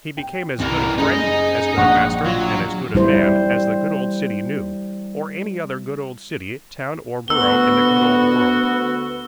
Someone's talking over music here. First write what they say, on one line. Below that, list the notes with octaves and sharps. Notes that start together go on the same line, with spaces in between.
He became as good a friend, as good a master, and as good a man as the good old City knew, or any other good old city, town, or borough in the good old world.
G5
C2 E3 A#4
F#1 D#4 G#4 D#5
A#1 F#5 C#6
F#3 F4
G3 E4 C5
D2 B3 F#4 E6 G7